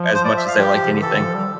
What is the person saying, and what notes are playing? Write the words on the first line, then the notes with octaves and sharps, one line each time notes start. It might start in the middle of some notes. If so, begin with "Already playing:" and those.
as much as they like anything.
Already playing: F3
C5
D5
E5
F5
G4
C3
D3
E3 A4
D3
F3
G3